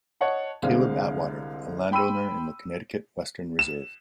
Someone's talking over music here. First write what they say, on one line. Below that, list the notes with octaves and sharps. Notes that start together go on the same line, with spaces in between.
Caleb Atwater, a landowner in the Connecticut Western Reserve.
C#5 D#5 F#5 A5
C2 D3 G#3 C4 F5
G5 B5 C6 E6 D#7
E7